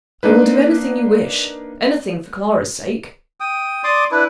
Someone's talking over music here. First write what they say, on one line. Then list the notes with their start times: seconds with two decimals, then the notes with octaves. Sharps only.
"I will do anything you wish--anything for Clara's sake!"
0.23 A#3 D4 D#4 B4
3.40 G5 D#6
3.84 D5 C6 D6 D#6
4.11 D4 E4 B4